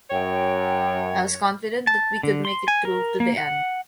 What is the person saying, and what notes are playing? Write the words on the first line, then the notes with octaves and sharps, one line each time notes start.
I was confident that we could make it through to the end.
F#2 C#5 G5
A5
D3
C6
G#5
A#4
A#3
F#5